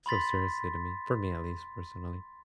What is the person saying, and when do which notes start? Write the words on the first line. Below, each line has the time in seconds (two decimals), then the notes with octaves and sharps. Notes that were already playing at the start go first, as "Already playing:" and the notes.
so seriously to me for me, at least, personally.
0.06 B5 C6 A6 B6